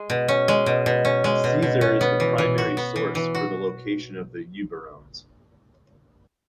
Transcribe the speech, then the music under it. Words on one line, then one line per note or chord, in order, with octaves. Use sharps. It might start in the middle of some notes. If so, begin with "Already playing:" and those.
Caesar is the primary source for the location of the Eburones.
Already playing: G#3
B2
C#4
G#3
B2
B2
C#4
G#3
B2
B2
C#4
B3
E3
E3
F#4
B3
E3
E3
F#4